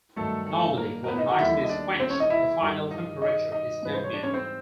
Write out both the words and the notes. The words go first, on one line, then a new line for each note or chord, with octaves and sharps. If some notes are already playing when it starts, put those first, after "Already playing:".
Normally, when an item is quenched, the final temperature is ambient.
G2 D#3 F#3 A3 A4
A3 A4
A#3 A#4
A#4
B3 B4
D#4 D#5
F#4 F#5
D#2 D3 G3 E4 E5
D#5
D4 D5
C4 C5
C#4 C#5
D#4 D#5
E4 E5
G2 D#3 G3
D#4 D#5
D#4 D#5
D#4 D#5
G#2 E3 G3 B4
C5
C#5
D4 D5
C#4 C#5
C4 C5